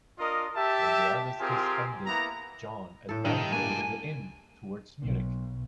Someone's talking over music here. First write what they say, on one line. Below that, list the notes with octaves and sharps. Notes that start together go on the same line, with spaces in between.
When the armistice ended, John advanced over the Inn towards Munich.
D4 F4 A#4 D#5
G4 E5 A5
C4 F4 G4 G#4 A#4 G#5
A#3 B3 E4 A#5
A2 A4
G2 D#3 A3
F#3 A#3 D4 G#5
G#3
B1